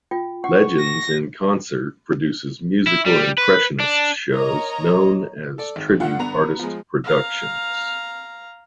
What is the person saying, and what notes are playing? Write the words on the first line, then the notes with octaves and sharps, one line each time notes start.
Legends In Concert produces musical impressionist shows known as tribute artist productions.
F4 G5
F#5 C#6
A#6
E4
G3
B4
D4
A#4 C#5 D#5 A#5
A4 D5
G#1
G2 D3 F4 F#5
B3 A#5 F7
F3 G#3
F5 A#5